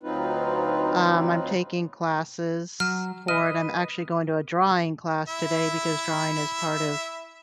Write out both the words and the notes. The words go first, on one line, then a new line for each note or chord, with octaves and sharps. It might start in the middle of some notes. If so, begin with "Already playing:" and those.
Um, I'm taking classes for it. I'm actually going to a drawing class today because drawing is part of
D2 F#3 C4 D#4 F4 B4
F#3 F6
B4 D#5 F6
E4 E5